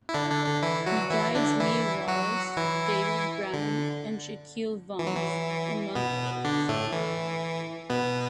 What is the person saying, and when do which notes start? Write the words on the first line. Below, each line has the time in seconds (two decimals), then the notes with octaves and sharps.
He guides Lea Wallace, David Brown and Shaquille Vance, among others.
0.09 E4
0.14 D3 D4
0.30 D3 D4
0.46 D3 D4
0.62 E3 E4
0.86 F#3 F#4
1.11 E3 E4
1.35 D3 D4
1.59 E3 E4
2.08 F#3 F#4
2.57 E3 E4
3.54 D3
4.99 E3
5.07 F#3
5.15 E3
5.95 B2 B3
6.44 D3 D4
6.69 A2 A3
6.92 E3
7.90 B2 B3